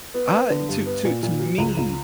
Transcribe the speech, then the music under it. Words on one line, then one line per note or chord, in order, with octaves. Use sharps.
Uh, i to to to me
B3
B3
D3
G2
B3
A#2
A#2
F#3
C#2
C#2